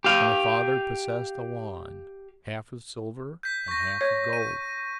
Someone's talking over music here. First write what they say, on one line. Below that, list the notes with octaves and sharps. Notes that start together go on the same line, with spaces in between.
Thy father possessed a wand, half of silver and half of gold.
G4 F5
G6 B6
C#6 A#6
C#5
D#7